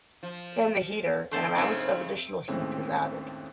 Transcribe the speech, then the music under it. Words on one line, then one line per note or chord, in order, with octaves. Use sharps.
In the heater, an amount of additional heat is added.
F3
D3 A3 C5 A5
G#2 C#3 F#3 A3 C4
D#2 A2 G#3 C4 C#4